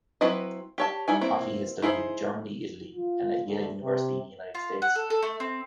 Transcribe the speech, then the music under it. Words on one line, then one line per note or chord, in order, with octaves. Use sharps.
Otte had studied in Germany, Italy, and at Yale University in the United States.
F#3 C4 E4 B4 D#5
G4 C#5 A5
G3 D#4 E4 G#5
A#3 C4 E4
D#4 E4 G#4 C5
F4
D2
C3
F4
F#5
A4
A4
A3
C4